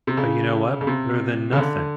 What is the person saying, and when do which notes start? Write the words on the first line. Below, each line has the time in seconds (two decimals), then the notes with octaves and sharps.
But you know what? Better than nothing.
0.07 C3
0.17 C#3
0.81 C#3
0.87 C3
1.53 C#3
1.58 D3